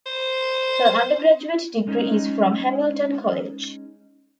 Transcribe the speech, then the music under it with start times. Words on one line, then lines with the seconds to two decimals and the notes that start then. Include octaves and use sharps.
Her undergraduate degree is from Hamilton College.
0.06 C5
1.87 G#3 C#4 D#4 G#4